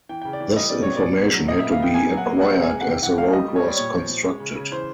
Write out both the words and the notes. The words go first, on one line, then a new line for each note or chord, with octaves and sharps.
This information had to be acquired as the road was constructed.
E3 G5
C#3 G5
D5
E3
G3 D#5
B2 D5
B3 C#5
D5
B2
B2
F#3
A#2 D#5
B3 E5
F5
B3 G5
A#3 G#5
F#3
F#5
A#3
G#3 F#5
C3
G#5
G#3
F#5
C3 G5
E3 F#5
A3 F5
G3 D#5
G3
C#5
G3 D5
A#2 C#5
F3
F3
G#3
C#3
C#3
E3 C5